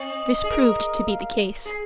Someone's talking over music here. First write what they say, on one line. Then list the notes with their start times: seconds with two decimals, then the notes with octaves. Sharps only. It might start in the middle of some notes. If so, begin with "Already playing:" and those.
This proved to be the case.
Already playing: C4 D#5
0.44 G#4
0.50 A#4
1.08 F5
1.65 G#4